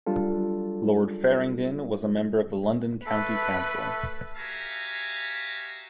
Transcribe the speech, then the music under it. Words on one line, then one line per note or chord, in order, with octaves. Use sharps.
Lord Faringdon was a member of the London County Council.
F#3 G3 D4 F4 A4
A3 A4 B4
F#4 G4 E5 F5 G#5 A#5